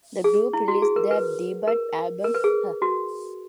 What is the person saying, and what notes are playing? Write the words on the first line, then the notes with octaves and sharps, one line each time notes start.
The group released their debut album Huh!?
G#4
E4
F#4
G#4
A#4
B4
A#4
A#4
B4
G#4
F#4